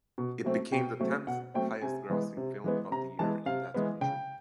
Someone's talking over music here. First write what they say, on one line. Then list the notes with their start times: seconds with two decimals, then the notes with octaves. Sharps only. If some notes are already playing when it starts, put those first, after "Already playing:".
It became the tenth highest-grossing film of the year in that country.
0.18 B2
0.44 F#3 A3 C4
0.72 B2 G5
1.00 F#3 A3 C4
1.27 B2 F#5
1.54 F#3 A3 C4 G5
1.81 C3 G#5
2.10 E3 G#3 B3
2.37 C3
2.64 E3 G#3 B3
2.91 C3 A#5
3.19 E3 G#3 B3 A5
3.46 C3 F5
3.74 E3 G#3 B3
4.01 C#3 G5